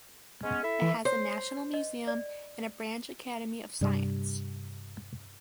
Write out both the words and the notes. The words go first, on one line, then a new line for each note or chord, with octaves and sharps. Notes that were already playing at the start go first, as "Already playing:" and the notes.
It has a national museum and a branch academy of science.
G#3 B3 C#4
E4 A4 E5
E3
C5 C#5
D#5
D5
G2 C3 G3